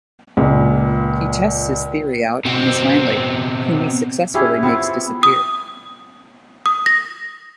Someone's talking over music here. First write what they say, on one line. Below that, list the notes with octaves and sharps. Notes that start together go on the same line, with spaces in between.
He tests his theory out on his landlady, whom he successfully makes disappear.
C#2 A#2
B2 C4
C#4 E4 G4 G#4
B3 C4 E4 F4
D#6
D#6
A#6